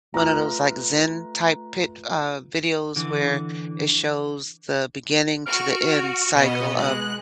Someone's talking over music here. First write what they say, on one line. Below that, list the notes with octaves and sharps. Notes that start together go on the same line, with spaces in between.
one of those, like, zen-type pic uh, videos where it shows the beginning to the end cycle of
A3 F4 B4 A#5 F6
D3 E3
F#4 F6 D7
B2 B3 D#5
G#3 F#6